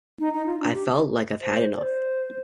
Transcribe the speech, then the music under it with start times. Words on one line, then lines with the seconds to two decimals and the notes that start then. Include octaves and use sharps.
I've felt like I've had enough.
0.20 D#4
0.33 D#4
0.46 F4
0.60 D4
0.74 G4
1.41 C5
1.77 D5
1.83 C5